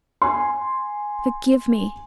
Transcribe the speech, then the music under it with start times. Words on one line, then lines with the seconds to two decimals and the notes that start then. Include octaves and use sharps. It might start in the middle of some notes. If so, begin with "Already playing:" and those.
Forgive me!
0.22 G#5 C6